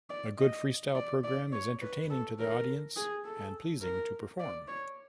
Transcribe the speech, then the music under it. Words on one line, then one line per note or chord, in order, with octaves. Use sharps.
A good freestyle program is entertaining to the audience and pleasing to perform.
D5
D#5
D5
D5
C#5
B4
A4
A#4
G#4
A4
A#4
D5
C#5